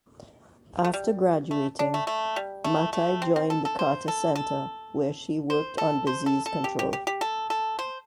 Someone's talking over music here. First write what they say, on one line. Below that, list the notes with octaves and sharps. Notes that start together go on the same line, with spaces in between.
After graduating Mathai joined the Carter Center where she worked on disease control.
A3
G3
A3
D4
A3
A3
G3
A3
A3
C4
C4
A4
A4
C5
A4
A4
C5
A4
C5
A4
A4
G4
G4
G4
G4
A4
A4
C5